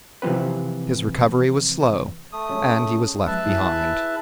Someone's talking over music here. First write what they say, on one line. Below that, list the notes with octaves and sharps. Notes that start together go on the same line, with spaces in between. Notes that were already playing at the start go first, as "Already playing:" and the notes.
His recovery was slow, and he was left behind.
C3 E3 F3 C4 B4
A3 D#6
G#3 C#4
G#3 B4 E5 A5
E4 G#4